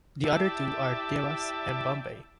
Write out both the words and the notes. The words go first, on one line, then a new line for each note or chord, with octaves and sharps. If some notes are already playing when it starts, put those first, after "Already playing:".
The other two are Dewas and Bombay.
E4 G4 D5 E5 A5